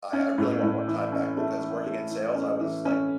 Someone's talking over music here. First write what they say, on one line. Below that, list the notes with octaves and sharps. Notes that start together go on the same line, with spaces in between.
I I really want more time back because working in sales, I was like,
C#4
A2
A2
E3
C#4
A3
E3
A3
E3
C#4
E3
C#4